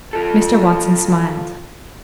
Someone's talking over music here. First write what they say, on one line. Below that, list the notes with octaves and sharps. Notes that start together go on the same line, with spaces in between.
Mr. Watson smiled.
F3 A4